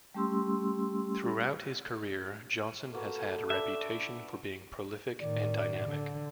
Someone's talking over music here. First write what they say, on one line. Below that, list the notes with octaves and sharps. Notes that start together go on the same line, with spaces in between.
Throughout his career, Johnson has had a reputation for being prolific and dynamic.
G3 A3 C#4 G4 C6 E6
A#3 F#4 A4 B4
D4 E5 B5
A2 D#3 D5
D3